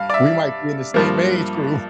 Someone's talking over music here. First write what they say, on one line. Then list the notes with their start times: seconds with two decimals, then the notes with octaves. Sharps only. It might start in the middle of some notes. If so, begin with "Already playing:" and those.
We might be in the same age group.
Already playing: G2 F5
0.10 D5
0.14 E5
0.94 G2 F3 A#3